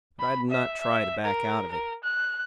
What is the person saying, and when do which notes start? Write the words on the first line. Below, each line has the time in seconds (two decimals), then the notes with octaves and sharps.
But I did not try to back out of it.
0.20 B5
0.50 E5
0.81 E5
1.25 A#4
1.72 A#4
2.04 F#6